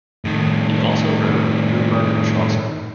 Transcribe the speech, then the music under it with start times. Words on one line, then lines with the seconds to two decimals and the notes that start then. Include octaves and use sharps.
He also wrote Who Murdered Chaucer?
0.25 A2 D#3